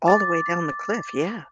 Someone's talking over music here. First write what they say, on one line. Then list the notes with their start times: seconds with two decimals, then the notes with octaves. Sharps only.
All the way down the cliff, yeah.
0.07 D6 A6